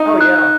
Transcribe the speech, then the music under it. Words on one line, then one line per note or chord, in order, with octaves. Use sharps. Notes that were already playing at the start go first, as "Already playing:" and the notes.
Oh yeah,
Already playing: D#4
F#6